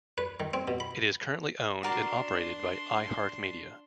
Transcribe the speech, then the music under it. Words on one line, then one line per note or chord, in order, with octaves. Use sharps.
It is currently owned and operated by iHeartMedia.
B4
D#3
C4
B2
B5
D4 F#4 A#4 D5 C6